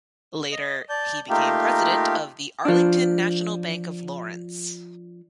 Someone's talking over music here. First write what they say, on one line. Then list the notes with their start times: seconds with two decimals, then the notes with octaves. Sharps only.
Later, he became president of the Arlington National Bank of Lawrence.
0.52 D#5
0.89 D5 A5 G6
1.29 A3 A#3 D#4 F4 G4
2.65 F3 D4